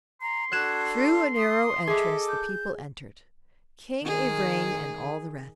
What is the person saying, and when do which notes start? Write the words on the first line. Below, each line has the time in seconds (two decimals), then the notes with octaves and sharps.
Through a narrow entrance the people entered--King Evrain and all the rest.
0.22 A#5 C6
0.52 D4 F#4 A4 F#6 G#6 E7
1.37 D#6
1.87 G#4 A4 D#5 E5 D6
2.29 G6
4.04 D#3 G#4